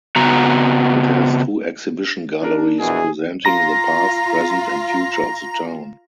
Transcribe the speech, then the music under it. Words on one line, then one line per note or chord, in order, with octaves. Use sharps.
It has two exhibition galleries presenting the past, present and future of the town.
C#3 B3 F#4 A#5
D4 A#4
A#1 E2 B2 G#4
F4 A#5 A#6